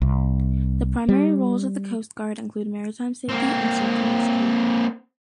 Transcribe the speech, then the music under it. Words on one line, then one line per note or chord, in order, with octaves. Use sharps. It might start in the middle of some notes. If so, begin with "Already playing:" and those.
The primary roles of the Coast Guard include maritime safety and search and rescue.
C2
G3
A#3 C4